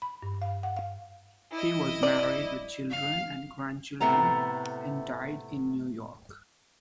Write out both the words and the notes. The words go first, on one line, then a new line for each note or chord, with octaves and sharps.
He was married with children and grandchildren, and died in New York.
B5
G2
F5
F#5
F5
E4 D#5
D5
F5
A2 C3 A3 B3 A#5